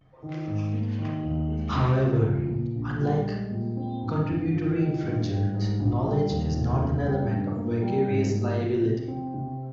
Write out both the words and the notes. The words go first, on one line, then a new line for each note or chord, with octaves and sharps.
However, unlike contributory infringement, knowledge is not an element of vicarious liability.
D#3
G#2
A#3
D#3
D#2
G#3
C3
C#2
F3
A#2
A#1
G3
G#3
A#2
C4
G2
G1
F3
D#3
G2
G3
G#2
A#1
G3
D#2
F1
C#3
G3
G2
A#3
G3
G#2
A#3
F3
C3
C4
C3